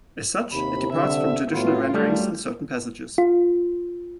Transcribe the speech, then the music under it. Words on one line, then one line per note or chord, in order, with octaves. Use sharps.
As such, it departs from traditional renderings in certain passages.
D#2 C3 B5
D3 E5
A2 F#3 B3 F4
F#2 A#2 F#3 G3 A3 D4
F4